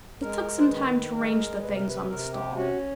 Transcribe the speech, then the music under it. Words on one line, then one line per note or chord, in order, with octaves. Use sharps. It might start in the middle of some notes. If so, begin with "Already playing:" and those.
It took some time to arrange the things on the stall.
G#3 A#4
C5
D#3 B4
G#3 A#4
C3 B4
A#4
B4
C3 A#4
G4
C#4 F#4